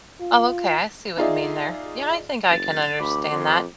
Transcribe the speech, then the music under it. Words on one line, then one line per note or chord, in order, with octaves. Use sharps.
Oh, okay, I see what you mean there. Yeah, I think I can understand that.
F4
D#4 F4 G#4 D5 E5
F#1 A6
D2 B5 D6
F2 C6